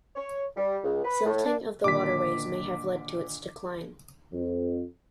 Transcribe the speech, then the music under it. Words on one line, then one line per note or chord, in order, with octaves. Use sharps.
Silting of the waterways may have led to its decline.
C#5
G3
C#2
B4
A2
D4
A#2 D3 D#3 D6 B6
F2